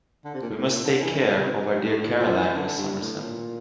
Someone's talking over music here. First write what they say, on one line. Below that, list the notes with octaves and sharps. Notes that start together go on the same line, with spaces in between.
We must take care of our dear Caroline, Miss Summerson.
D3
C3
A#2
A2
A#2
D3
E3
D3
C3
G2
A2
A2
F3
E3
D3
G2
A2
A#2